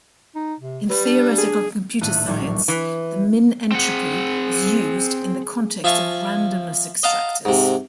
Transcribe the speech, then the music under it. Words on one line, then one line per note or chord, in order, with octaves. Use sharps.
In theoretical computer science, the min-entropy is used in the context of randomness extractors.
D#4
C3
G3 B4
D4
G#4
D#1 A2 A3 F#6 D#7
A#1 A2 G3 C#6
E3
C4 G#4 F#5
F3 E5 F5 G#5 A5 C#6
D#5 F5 F#5 A5 A#5
G#2 C3